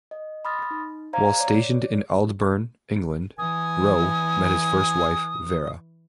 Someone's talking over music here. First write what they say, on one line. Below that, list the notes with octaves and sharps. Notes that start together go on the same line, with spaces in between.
While stationed in Aldbourne, England, Roe met his first wife Vera.
D#5
B5 C6 D#6 F6 A6 A#6
D#4
C5 D5 F5 A#5 G#6
C#5 D5
E3 G#5 D#6